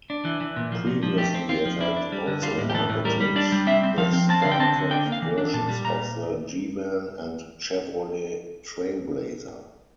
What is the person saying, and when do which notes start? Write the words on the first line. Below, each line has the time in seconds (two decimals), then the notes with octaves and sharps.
Previously, it had also marketed the Starcraft versions of the G-Van and Chevrolet Trailblazer.
0.10 D4
0.25 E3
0.41 E3
0.56 A#2
0.72 F3
0.87 A#2
1.03 F3
1.18 A3 G4
1.34 C4
1.49 C4 F4
1.65 F3
1.81 D4 E4
1.96 D4
2.12 G3
2.27 D3
2.42 G3 F4
2.59 A2
2.70 G4
2.74 E3 A4
2.90 A2
3.05 G3 A#4
3.21 G3
3.36 D4 D5
3.52 G3
3.67 C4 E5
3.83 C4
3.98 F3 F5
4.13 C4
4.29 C4 A5
4.42 D3 F5
4.52 G5
4.60 C4 A5
4.77 D3
4.91 D4 G5
5.07 A#3
5.12 F5
5.22 E3
5.38 D4
5.54 A#2 A5
5.69 G3
5.85 A#2 A#5